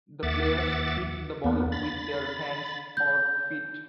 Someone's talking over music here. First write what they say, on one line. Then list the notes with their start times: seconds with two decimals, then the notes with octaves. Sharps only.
The players hit the ball with their hands or feet.
0.23 D#2 E5 F#5 D6 A6
1.44 E2 A#3 B3
1.72 B5 A6
2.97 G6